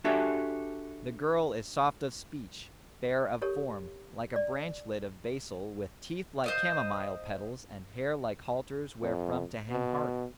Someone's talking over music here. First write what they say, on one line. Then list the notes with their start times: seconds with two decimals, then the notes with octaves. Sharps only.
The girl is soft of speech, fair of form, like a branchlet of basil, with teeth like chamomile-petals and hair like halters wherefrom to hang hearts.
0.04 D4 F#4 G4 A4 E5 G#5
3.42 G4 A4 A#4 C#5
4.36 D5
6.44 C5 D#5 F5
9.02 F2
9.70 B2